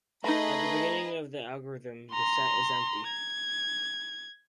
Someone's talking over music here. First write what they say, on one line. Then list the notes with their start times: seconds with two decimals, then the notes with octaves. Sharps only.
At the beginning of the algorithm, the set is empty.
0.24 A3 D#4 G#4 B4 D#5 A#5 B5
2.12 A#5 C6
3.09 G#6